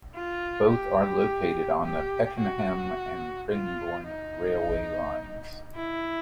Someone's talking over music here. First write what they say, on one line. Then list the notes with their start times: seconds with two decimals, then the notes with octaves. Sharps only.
Both are located on the Pakenham and Cranbourne railway lines.
0.15 F4
0.71 G4
1.83 G4
2.39 F#4
3.51 F4
4.07 D#4
5.75 E4